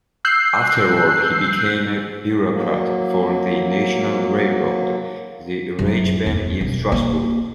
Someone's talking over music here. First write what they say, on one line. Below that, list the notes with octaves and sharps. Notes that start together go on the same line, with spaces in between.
Afterwards, he became a bureaucrat for the national railroad, the Reichsbahn, in Strasbourg.
E6 F#6 G6 C7
F#3 A#3
F#2
E2
E1
A#3